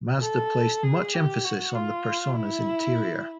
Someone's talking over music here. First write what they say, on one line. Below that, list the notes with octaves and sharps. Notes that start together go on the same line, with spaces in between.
Mazda placed much emphasis on the Persona's interior.
A4
G#4
G4
F#4
F4
E4